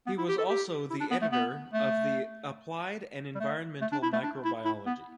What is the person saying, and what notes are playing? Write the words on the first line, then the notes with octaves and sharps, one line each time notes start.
He was also the editor of the "Applied and Environmental Microbiology".
B3
E4
G4
A4
G4
E4
D4
B3
A3
B3
A3
G3
A3
A3
D4
E4
A3
D4
E4
E4
B3